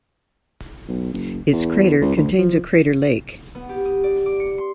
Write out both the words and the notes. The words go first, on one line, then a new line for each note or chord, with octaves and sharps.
Its crater contains a crater lake.
B1
F#1
E2
C#2
D2
F3
B3
G4
D#6
D5
D6
C#7
C6